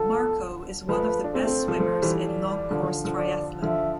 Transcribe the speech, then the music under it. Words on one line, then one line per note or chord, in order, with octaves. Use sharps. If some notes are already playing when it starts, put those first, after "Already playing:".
Marko is one of the best swimmers in long course triathlon.
Already playing: D3 F3 A4
F3 A3 B4
D4
A3 C4 C5
A3 C4
F3 A3
F3 A3 C5
E3 G3
D5
D3 F3
D3 F3
D3 F3
D5
D3 F3 E5